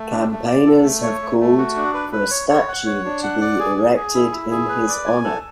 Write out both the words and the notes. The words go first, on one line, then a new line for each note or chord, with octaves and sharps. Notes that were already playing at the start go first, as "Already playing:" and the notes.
Campaigners have called for a statue to be erected in his honour.
Already playing: A3
D4
A3
D5
A4
A3
C#5
A3
A3
F#4
D4
B4
B4
C#5
C#5
F#5
C#5
D4
F#5
D5
G#4
G#4
G#4
E4
E4
G#4
B4
D5
G#5
A4